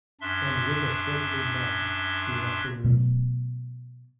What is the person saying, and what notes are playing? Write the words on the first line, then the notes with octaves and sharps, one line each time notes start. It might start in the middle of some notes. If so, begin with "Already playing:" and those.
And, with a friendly nod, he left the room.
F#2 D4 E5 C6
B2 F#3 A3 B3